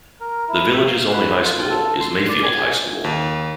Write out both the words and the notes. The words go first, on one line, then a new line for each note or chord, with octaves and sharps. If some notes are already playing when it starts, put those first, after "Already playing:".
The village's only high school is Mayfield High School.
A#4
E4
E5
F5
B4
F4
A4
C6
D5
G#5
D#2